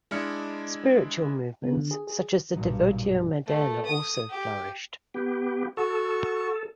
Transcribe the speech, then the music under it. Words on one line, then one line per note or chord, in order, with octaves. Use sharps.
Spiritual movements such as the Devotio Moderna also flourished.
G#3 D4 E4 F6 C#7
B3
D3
G#4
G#4
B1 G2 A#2 F#3 D#4
A3
D#6
G4
B3 G4
F#4 A4 C#6